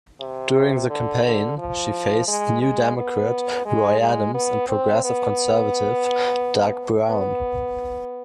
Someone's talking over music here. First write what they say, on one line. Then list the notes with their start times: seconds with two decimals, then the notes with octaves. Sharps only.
During the campaign, she faced New Democrat Roy Adams and Progressive Conservative, Doug Brown.
0.20 C3
0.89 D3
1.24 D3
1.58 F3
2.27 G#3
2.62 G#3
2.96 B3
3.65 G#3
4.00 G#3
4.34 B3
4.69 C4
5.04 B3
7.10 B3